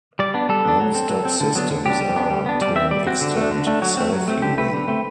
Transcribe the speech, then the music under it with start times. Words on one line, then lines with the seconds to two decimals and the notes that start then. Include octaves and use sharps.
NonStop systems are, to an extent, self-healing.
0.19 G3 D5
0.34 B3 D4
0.49 G3 A4
0.65 B3 D4
0.80 F#3
0.95 C4
1.10 F#3
1.25 C4
1.40 D3
1.55 F#3 B3 D4
1.70 D3
1.86 F#3 B3 D4 G4
2.01 G3
2.16 B3 D4
2.31 G3
2.46 B3 D4
2.61 G3 D5
2.76 C4 E5
2.91 G3 D5
3.07 C4 F#4
3.21 D3
3.37 A3 D4
3.52 D3
3.67 A3 D4
3.82 F#3 F#4
3.97 A3 C4
4.12 F#3
4.28 A3 C4
4.42 D3 G4
4.58 A3 C4 B4
4.73 D3
4.88 A3 C4